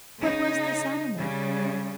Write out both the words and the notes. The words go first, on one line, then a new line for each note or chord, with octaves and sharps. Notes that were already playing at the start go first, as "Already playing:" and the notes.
What was this animal?
C#3 D#4
C#3 G3